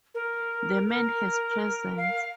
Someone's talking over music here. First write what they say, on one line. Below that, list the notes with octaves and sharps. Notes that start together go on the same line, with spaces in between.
The man has presence.
A#4
A#4
F5